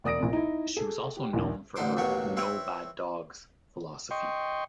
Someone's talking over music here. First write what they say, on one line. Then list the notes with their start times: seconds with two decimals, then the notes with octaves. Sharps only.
She was also known for her "no bad dogs" philosophy.
0.04 E1 D5 D#6 A#6 D7
0.19 A#1 C3
0.33 D#4 E4
0.77 G#4 A4
1.17 G4
1.33 A#1 D#2
1.76 A1 A2 D3 D#4 C5 D6
1.97 A1 D#2 B2 F#3 G4 C#5
2.37 C4 E4 B4 C#5
4.11 D#5 G5 C6 C#6